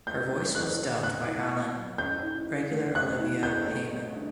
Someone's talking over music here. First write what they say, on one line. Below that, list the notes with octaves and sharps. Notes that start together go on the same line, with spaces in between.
Her voice was dubbed by Allen regular Olivia Hayman.
A3 G6
E4
A4 F#6
D3
A3 F#6
E4
B4
F#3
C#4 G6
E4
A4
A3
C#4 F#6
E4
B4 G6
A3
G3
D4